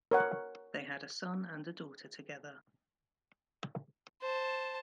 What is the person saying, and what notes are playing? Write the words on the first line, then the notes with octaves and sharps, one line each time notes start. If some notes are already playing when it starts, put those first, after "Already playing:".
They had a son and a daughter together.
A#4 C#5 F#5
C5 A5